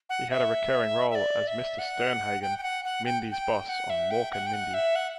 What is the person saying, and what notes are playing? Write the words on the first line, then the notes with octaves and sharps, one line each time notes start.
He had a recurring role as Mr. Sternhagen, Mindy's boss on "Mork & Mindy".
F#5
E5
E5
D5
E5
F#5
G5
G5
F#5
F#5
G5
G5
F#5
E5
G5
F#5
G5
F#5
E5
F#5